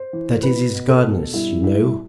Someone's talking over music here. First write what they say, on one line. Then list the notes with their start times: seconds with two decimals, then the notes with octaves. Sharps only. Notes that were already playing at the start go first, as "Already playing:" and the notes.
That is his Godness, you know.
Already playing: C5
0.13 E3
0.43 B2 B4
0.74 B2
0.88 A4
1.03 B2
1.34 G2 E4
1.64 G2 E4